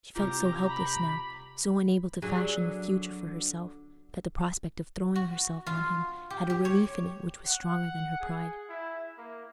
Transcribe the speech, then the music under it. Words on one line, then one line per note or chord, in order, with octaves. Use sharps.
She felt so helpless now, so unable to fashion the future for herself, that the prospect of throwing herself on him had a relief in it which was stronger than her pride.
C3 G3 F4 G4 A#5
B5
D3 F#3 G#4
F#4
F4
G4
G4
C#5
F#5
G#4
E4
A#3